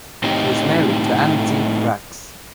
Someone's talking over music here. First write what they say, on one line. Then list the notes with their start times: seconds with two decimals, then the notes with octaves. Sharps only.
She is married to Antti Brax.
0.24 A2 C4 D#4 G4 D#5